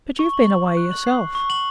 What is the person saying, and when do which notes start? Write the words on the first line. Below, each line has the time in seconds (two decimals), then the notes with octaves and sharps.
But you've been away yourself.'
0.19 C#6
0.33 F#7
0.48 F#7
0.62 C#6
0.77 F#6
0.91 F#7
1.07 C7
1.21 C#6
1.35 C#6
1.50 F#7